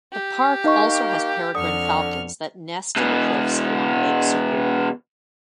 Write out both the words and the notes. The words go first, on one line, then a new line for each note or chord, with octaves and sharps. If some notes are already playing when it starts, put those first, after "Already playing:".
The park also has peregrine falcons that nest in the cliffs along Lake Superior.
G4
A#3 D#4 D#5 C#6
F2 D3 C#6 D#6 F6
B2 E3